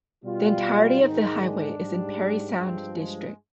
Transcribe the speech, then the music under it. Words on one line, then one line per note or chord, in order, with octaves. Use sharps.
The entirety of the highway is in Parry Sound District.
B2 G3 F4
G#2 D#3 G#3 D#4
D4
G#2 G3
G2 F3 G#3 C4
G#3